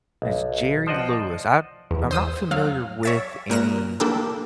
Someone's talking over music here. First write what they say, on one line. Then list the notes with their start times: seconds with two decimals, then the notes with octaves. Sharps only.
It's Jerry Lewis, I I'm not familiar with any
0.22 B1
0.87 F3 C5 D5 D#5 F#5
1.91 E2
2.11 C5 D#6 E6
2.51 F#3 F5
3.03 C#5 E5 A6
3.50 A#2 A#4 F#6 A#6 E7
4.00 A#3 D4 G4 A4